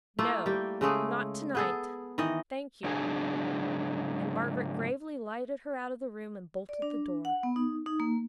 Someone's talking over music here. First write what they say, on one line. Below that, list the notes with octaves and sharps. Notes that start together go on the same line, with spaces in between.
'No! not to-night, thank you.' And Margaret gravely lighted her out of the room, and bolted the door.
A3 A#3 E4 F4
G3 G5
C#3 G#3 A3 G#4
B3 G#4 A4
D#3 E3 D#5
G#2 C#3 F#3 D4 G#4 G#5
D5
D4
F#5
B3
D#4
D#4
A#3